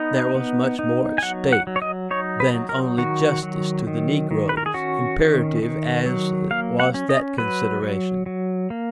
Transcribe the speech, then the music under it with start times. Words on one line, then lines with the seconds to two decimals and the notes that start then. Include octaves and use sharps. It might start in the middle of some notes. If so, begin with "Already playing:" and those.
There was much more at stake than only justice to the negroes, imperative as was that consideration.
Already playing: B3 D#4
0.35 B3
0.79 D#4
1.18 G#5
1.22 F#3 F#5
1.53 F#5
1.67 F#3
1.76 C#5
1.82 D#5
2.11 D#4 C#5
2.40 B4
2.54 F#3
2.69 A#4
2.98 D#3 F#4
3.43 F#3
3.87 D#3
4.31 D#3
4.49 B4
4.57 A#4
4.66 G#4
4.74 C#4 F#4
5.19 D#3
5.62 D#3
6.06 F#3
6.51 A#3 F5
6.80 F#5
6.94 C#4
7.09 D#5
7.38 F#3 B4
7.82 F#3
8.26 F#3
8.70 A#3